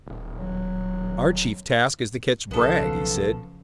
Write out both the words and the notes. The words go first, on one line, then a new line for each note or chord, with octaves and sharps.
"Our chief task is to catch Bragg," he said.
D#1
F#3
B1 C#3 F3 B3 A4